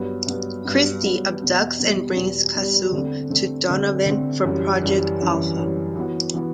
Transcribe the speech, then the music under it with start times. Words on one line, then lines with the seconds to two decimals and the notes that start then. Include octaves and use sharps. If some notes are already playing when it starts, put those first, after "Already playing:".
Christie abducts and brings Kasumi to Donovan for Project Alpha.
Already playing: G2 F#3 B3
0.27 G2 F#3 B3
0.65 G2 F#3 B3
1.03 G2 F#3 B3
1.41 E2 B2 G3
1.79 E2 B2 G3
2.16 E2 B2 G3
2.54 E2 B2 G3
2.92 D3 A3 C4
3.30 D3 A3 C4
3.69 D3 A3 C4
4.06 D3 A3 C4
4.44 F#2 E3 G3
4.82 F#2 E3 G3
5.21 F#2 E3 G3
5.58 F#2 E3 G3
5.96 E3 B3 F#4
6.34 E3 B3 F#4